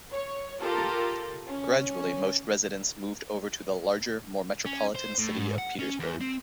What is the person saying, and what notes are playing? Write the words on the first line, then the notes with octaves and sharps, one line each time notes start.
Gradually most residents moved over to the larger, more metropolitan city of Petersburg.
C#5
F4 G4 A4 A#4
C#4
C#4
C5
A2
G#2
F#5
C#4
E2
C4